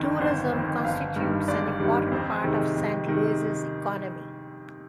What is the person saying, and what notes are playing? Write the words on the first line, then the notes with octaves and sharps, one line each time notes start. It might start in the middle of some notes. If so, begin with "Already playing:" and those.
Tourism constitutes an important part of Saint-Louis' economy.
Already playing: G1 F2 D#3
G1 C5
F2 D#3
G1 F5
G2 D#3 G3
G1 D5
G2 D#3 G3
F2 C5
C3 D#3 G#3
F2
C3 D#3 G#3